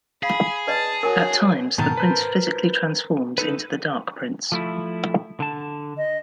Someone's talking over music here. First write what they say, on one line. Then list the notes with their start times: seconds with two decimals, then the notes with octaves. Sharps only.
At times, the Prince physically transforms into the Dark Prince.
0.23 G#4 F5 B5
0.67 B4 D5 D#5 A5
1.03 F#4 A#4 C#5 G#5
1.78 G#2 B2 D#3 A#4 A5
1.97 B4 C5
3.38 D#4 A4 B4
4.52 F3 A3 E4
5.40 D3 A5
5.97 D#5